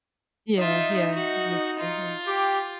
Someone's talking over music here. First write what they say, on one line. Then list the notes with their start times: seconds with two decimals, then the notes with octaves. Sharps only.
Yeah, yeah, basically, yeah.
0.58 D#4 F4 E5
1.14 F#4
1.80 F4
2.27 G4